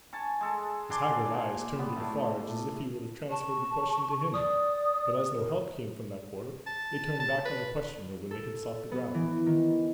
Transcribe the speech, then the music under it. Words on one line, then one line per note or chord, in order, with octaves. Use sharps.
His haggard eyes turned to Defarge as if he would have transferred the question to him: but as no help came from that quarter, they turned back on the questioner when they had sought the ground.
G#5 A5 C#6
G#3 A4
D4 G#5 C6 D6
A#2
G3 B3
A2 A3
A5 C#6
D5 D#6
A#4
A5
A5
B4
A4
B3
E3
D#3